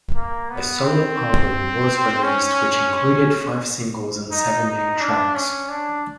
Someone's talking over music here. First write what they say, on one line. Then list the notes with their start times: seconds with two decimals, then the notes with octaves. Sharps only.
A solo album was released which included five singles and seven new tracks.
0.15 A#3
0.50 B3
0.84 C4
2.23 C#4
4.31 D#4
4.66 D#4
5.00 D4
5.35 C#4
5.69 D4